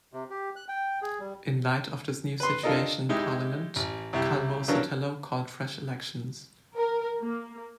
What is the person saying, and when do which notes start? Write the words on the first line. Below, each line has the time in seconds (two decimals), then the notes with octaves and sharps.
In light of this new situation in Parliament, Calvo Sotelo called fresh elections.
0.13 C3
0.30 G4
0.56 F#6
0.68 G5
1.02 G#4
1.20 G3
2.40 B4 C6
2.63 D4 F4 A4 A#4 D#5
3.09 G#3 D#4 E4 G4
3.76 A1
4.13 C2 E4 G4
4.68 C#3 E3 F#3 D4 A#4
6.76 A#4
7.20 A#3